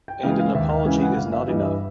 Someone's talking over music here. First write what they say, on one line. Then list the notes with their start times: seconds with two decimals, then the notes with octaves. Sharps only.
And an apology is not enough.
0.08 G5
0.23 C#3 E3 G#3 F5
0.40 F5
0.55 D#2 E5
0.70 F5
0.85 C#3 E3 G#3
1.02 F#5
1.16 G1 F5
1.32 E5
1.48 G2 E3 G3 D#5
1.63 E5